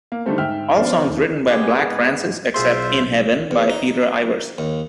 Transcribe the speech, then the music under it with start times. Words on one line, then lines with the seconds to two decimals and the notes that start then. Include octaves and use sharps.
All songs written by Black Francis, except "In Heaven" by Peter Ivers.
0.12 A#3
0.26 D3 D#3 G3 A3 C4
0.38 G#2 E5 G5 F6
0.76 F3 B3 C#4 D4 C5 D5
1.07 D#2
1.48 G#3 B3 G4 G#4 D5
1.90 G#2
2.54 B1 F4 G#4 C5 E5 C6
3.51 E2
3.70 D#4
4.58 D#2